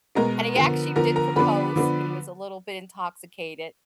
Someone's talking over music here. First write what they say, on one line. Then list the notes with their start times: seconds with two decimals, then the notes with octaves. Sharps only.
and he actually did propose, he was a little bit intoxicated,
0.15 B2 G#3 B3 A#4 A#5
0.56 D3 F3 B3
0.96 D3 F3 B3 A#4 A#5
1.16 A#4 A#5
1.36 D3 F3 B3 D4 B4 B5
1.76 D3 F3 B3 D4